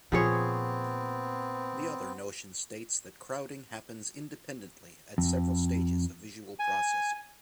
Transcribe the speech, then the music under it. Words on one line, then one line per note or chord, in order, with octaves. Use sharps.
The other notion states that crowding happens independently at several stages of visual processing.
A#2 F3 B3 C4 G#4 C#5
F2
G#5